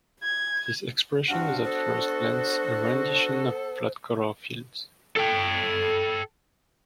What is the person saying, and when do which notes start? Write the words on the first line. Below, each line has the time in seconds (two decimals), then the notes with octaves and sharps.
This expression is at first glance a rendition of flat color fields.
0.23 G#6
1.28 G2 C4 D4 F#4 F5 F#5
1.64 B3 A4 C5
5.17 A4 G5